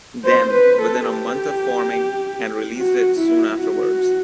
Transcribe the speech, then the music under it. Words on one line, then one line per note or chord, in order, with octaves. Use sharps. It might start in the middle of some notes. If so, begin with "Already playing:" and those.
Them, within a month of forming and released it soon afterwards.
C5
B4
A4
G4
F#4
E4
F#4